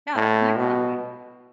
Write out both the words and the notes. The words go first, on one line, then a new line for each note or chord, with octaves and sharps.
Yeah, that's an excellent way.
A2
B2